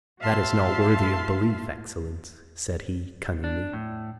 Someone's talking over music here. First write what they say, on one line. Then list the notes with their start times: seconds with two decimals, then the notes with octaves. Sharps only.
"That is not worthy of belief, excellence," said he, cunningly.
0.21 F#4 E5 F5 A5 C6
3.44 D4
3.73 A2